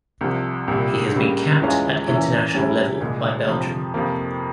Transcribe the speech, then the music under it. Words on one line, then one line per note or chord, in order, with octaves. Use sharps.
He has been capped at international level by Belgium.
C2 C3 F3
C2 A#2 G3
C#2 C#3 G3 A#3
E2 E3 G#3 C#4 F4
E2 E3 A#3 C#4 E4
C#3 G3 C#4 E4
C2 A#2 G#3
F2 C3 F3
F2 C3 F3 A#3